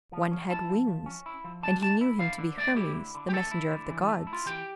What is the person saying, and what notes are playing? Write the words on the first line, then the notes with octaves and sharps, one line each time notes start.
One had wings, and he knew him to be Hermes, the messenger of the gods.
F3
C#4
E4 A5
F3
F3
C#4
E4
F3
D3 A5
A3 A5
E4
D3 F5
D3
A3 D5
E4 G4
D3
D3
G4
A3 A4
E4
D3
E3
A3
E4
F4
E3 G4